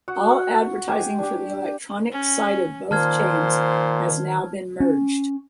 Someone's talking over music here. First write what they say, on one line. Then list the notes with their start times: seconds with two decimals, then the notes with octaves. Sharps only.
All advertising for the electronics side of both chains has now been merged.
0.08 F#4 F#5
0.88 G4 G#5
1.19 D4 G4
2.12 C#4
2.91 A#2 D#3 C5 A5 F6 G#6
4.80 C#4